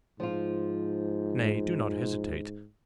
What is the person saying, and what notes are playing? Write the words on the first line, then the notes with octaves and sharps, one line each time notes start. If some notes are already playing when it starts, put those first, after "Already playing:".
Nay, do not hesitate.
G#2 F3 F4